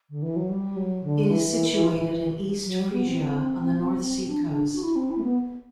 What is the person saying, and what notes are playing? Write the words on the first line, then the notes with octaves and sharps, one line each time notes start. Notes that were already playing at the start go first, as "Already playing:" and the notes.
It is situated in East Frisia, on the North Sea coast.
D3
E3
F#3
G3
F#3
D3
E3
F#3
G3
B3
C4
D4
F#4
E4
C4
E4
A3
B3